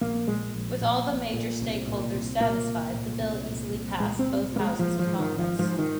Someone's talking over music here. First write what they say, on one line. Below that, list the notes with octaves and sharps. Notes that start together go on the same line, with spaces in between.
With all the major stakeholders satisfied, the bill easily passed both houses of Congress.
A#1 A#3
A#2 G#3
A#1
A#2
A#1
A#2
C2
A#2
C2
A#2 A#3
C2
A#2
C2
A#2
C2
A#2 G#3
C4
C2
A#2 A#3
G#3
G#1 F3
F3
G#2
D#3
G#1
F3
G#2 F3
D#3